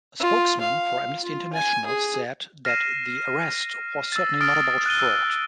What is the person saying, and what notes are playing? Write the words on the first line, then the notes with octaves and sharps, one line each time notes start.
A spokesman for Amnesty International said that the arrest was "certainly not about fraud".
F4
F5
F4
G#5
G#4
F6 A#6 C7 D#7 E7
E6 A6
D#6 F6 A6 D7 G7
F#6 A6 D#7 G7
E6